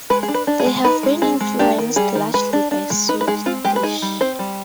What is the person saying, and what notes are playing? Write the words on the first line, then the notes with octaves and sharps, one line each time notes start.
They have been influenced largely by Swedish.
G#3 B4
G#4
D4
B4
D4
G#4
G#3
D#4 B4
G#3
C4 G#4
G#3
D4 G4
D#3
G3 G#4
D#3
G#3 B4
D4
D4
G#3
D#4 B4
B4
G#3 G#4
C4 F4
G#3 G4
B4
D#4 G#4
G3
C4 C5
G3